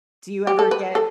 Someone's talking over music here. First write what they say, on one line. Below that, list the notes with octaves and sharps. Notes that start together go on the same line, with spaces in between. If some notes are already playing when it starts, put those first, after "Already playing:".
Do you ever get,
G4
A4
B4
A4